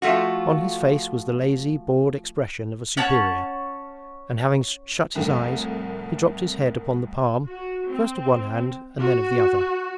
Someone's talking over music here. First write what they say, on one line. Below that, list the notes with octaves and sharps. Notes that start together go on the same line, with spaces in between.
On his face was the lazy, bored expression of a superior, and having shut his eyes he dropped his head upon the palm first of one hand and then of the other.
F3 A3 F4 F#4
C#4 C#5 F#5 A5
C2 F2 A2 A#4
F#4
C4
F#4